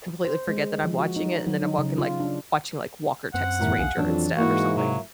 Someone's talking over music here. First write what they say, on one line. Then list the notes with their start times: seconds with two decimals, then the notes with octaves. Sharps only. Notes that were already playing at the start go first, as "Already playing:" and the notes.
completely forget that I'm watching it and then I'm walking like watching like Walker, Texas Ranger instead or something,
0.25 C5
0.47 G#3
0.84 F3
0.99 F#4
1.16 D#4
1.47 F#3
1.62 D#4
1.78 C#3
1.98 F4
2.20 D4
3.34 F#2 C4 F#5
3.60 E2 A2 D#3 G3
3.79 B1 G#4 F5
3.97 F2 E3 F#3 D4
4.37 G#2 A#3 E4 F#4
4.77 C3 F#3